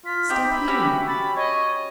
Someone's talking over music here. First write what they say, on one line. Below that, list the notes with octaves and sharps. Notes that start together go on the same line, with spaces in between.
Step here!
F4 B6
C4 D#4 G4
E5 B5
C#4 F#4 G4
B5 A6
C#5 D#5